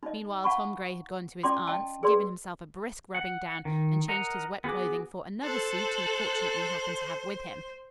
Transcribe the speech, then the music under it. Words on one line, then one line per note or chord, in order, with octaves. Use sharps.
Meanwhile Tom Gray had gone to his aunt's, given himself a brisk rubbing down and changed his wet clothing for another suit he fortunately happened to have with him.
D#4 D#5
F5 F#5 A5 B5 C#6
C#4 F4 D5 G5 C6 D6
D#5 G5 A5
G#4 B4 D5 C6
F#5
D#3
A#4 D#5 F#5 A#5
B3 F#4 G#4 D6
A4 C5 F#6